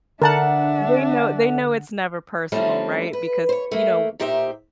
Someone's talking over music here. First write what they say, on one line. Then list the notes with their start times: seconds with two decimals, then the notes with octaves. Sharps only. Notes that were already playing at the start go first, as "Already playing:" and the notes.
They know they know it's never personal, right? Because, you know
0.22 D3 D4 A#4 E5 F#5 A5
2.52 F3 G3 A3 C4 C#4 D#4
3.13 B4
3.49 C5 C#5
3.71 A3 A#3
4.20 A#2 D#4 G4 C5 E5